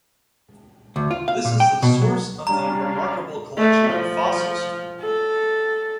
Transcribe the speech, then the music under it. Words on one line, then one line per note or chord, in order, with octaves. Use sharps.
This is the source of the remarkable collection of fossils.
D2
F4
F5
A#2
G5
B2
F#3
G3 C#4 D4 F5 A#5
A3
F3
A4